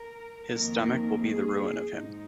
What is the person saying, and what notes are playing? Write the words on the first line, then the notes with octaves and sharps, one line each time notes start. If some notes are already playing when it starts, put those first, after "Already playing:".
His stomach will be the ruin of him.
Already playing: A#4
F2 D#3 A#3 A#4
G#4
G#2 G#3 D#4